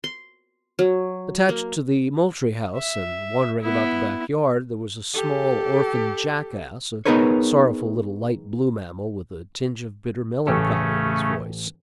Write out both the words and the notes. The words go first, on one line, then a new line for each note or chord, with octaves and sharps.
Attached to the Moultrie House, and wandering about the back-yard, there was a small orphan jackass, a sorrowful little light-blue mammal, with a tinge of bitter melancholy in his voice.
C6
F#3
A#3
E5
B3 E4
G4 A4
B3 D#4 G#4 A#4 B4 C#5
A1 C#3 A3 C#4 G4 A4